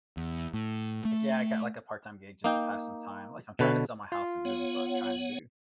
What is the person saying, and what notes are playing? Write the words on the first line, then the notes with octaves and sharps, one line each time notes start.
like, yeah, I got, like, a part-time gig just to pass some time, like, I'm trying to sell my house and move is what I'm trying to do,
E2
A2
A3
A#3 D#4 G5
B2 D3 B4 C#5
F4
B3 C#5 F#5